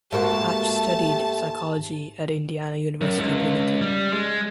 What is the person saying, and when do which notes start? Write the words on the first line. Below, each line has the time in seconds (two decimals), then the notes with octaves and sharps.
Hatch studied psychology at Indiana University Bloomington.
0.12 G#2 A3 A#3 F#4 G4 A5
3.01 F#2
3.19 C#2
3.82 G3
4.13 G#3